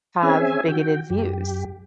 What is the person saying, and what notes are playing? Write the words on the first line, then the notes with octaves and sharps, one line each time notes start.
have bigoted views,
C4 C#4 G#4 E5 G#5
D#3 F#4 G5
F#2 G4